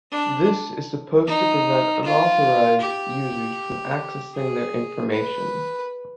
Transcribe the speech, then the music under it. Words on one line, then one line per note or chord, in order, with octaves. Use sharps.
This is supposed to prevent unauthorized users from accessing their information.
D4
D#4
F4
G4
G#4
B4